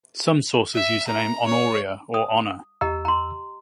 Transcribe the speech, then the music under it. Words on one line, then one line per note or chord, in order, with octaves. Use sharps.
Some sources use the name "Honoria" or "Honor".
E5
A#5
C#5
D#6
E2 G4 D#5 A#5 E6
A#5 C6